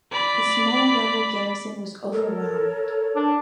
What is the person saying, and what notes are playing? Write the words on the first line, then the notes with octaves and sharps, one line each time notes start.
The small rebel garrison was overwhelmed.
D5 B5
A4 A#4 C#5
D4